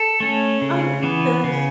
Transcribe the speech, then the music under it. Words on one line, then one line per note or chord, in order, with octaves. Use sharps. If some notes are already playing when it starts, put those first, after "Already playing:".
Oh, yeah, 'cause
Already playing: A4
A3 C#4
C#3
E3 B3
C#3